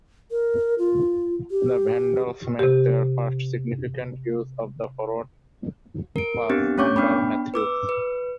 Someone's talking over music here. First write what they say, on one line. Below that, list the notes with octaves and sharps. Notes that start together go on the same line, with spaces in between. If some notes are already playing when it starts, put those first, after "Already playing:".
The Vandals made their first significant use of the forward pass under Mathews.
A#4
F4
G4
C3 G4
A#4 D7
B3 C4 D4 G4
A3 C#4 C#5 C#6 D6 G6
B3 D4 G5 B5
B4 D6 E6
B4